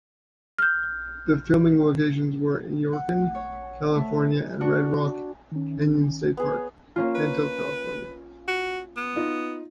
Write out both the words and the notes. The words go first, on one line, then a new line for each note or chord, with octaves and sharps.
The filming locations were Inyokern, California and Red Rock Canyon State Park, Cantil, California.
F6 G6
F#5
C#5
A3
D4 F#4
D#3 C#4
B3 G#4 C#5
A#3 C#4 F4
B4
F#4
B3
D#4 F4